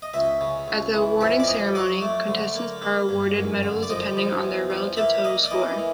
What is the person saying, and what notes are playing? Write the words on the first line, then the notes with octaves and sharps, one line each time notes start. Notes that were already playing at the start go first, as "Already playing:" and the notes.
At the awarding ceremony, contestants are awarded medals depending on their relative total score.
D#5
C#2 E5
C#3
C#2
E3
F2 E5
D5
F2 D#5
F#3 D5
A3
D3
A#3
A#3
G2
F#2
D3
D5
F3 D#5
F3
E2
F3
A#3 E5
A#3 D#5
D5
E3 D#5
E3